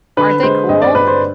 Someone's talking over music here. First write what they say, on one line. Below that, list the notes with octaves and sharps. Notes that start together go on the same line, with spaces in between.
Aren't they cool?
D3 B4
G#3 C5
G2 D#5
D5
G2 B4
C5